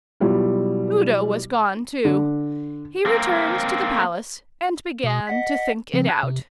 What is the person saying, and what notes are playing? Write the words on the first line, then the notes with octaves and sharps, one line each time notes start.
Udo was gone too. He returned to the Palace, and began to think it out.
B2 F#3 G3 E4 F4
D3
A#3 C4
B2 D#6
D#5 F#5 B6
C#3 F3 C4
A5 F#6 G#6
C3